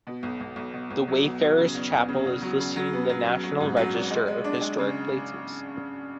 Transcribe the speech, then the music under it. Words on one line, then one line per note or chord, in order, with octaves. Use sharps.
The Wayfarers Chapel is listed in the National Register of Historic Places.
B2
B1
B1
B1
B2
B1
F#3
B2
F#3
C#3
E2
E2
C#3
E2
F#3
C#3
F#3
B3
F#3
F#3
F#3
G#2
F#3
G#1
G#3
G#3
D4
G#3
C#3